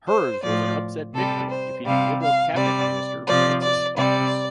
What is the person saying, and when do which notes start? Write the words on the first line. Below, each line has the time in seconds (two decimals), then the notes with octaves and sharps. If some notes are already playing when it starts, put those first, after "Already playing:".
Hers was an upset victory, defeating Liberal Cabinet minister Francis Fox.
0.08 C5
0.43 A2 F3 D5
1.14 C3 G3 A4
1.50 C5
1.85 C3 G3 F5
2.21 F5
2.56 C3 G3 D5
3.26 C3 F3 D5
3.62 D5
3.97 C3 G3 D5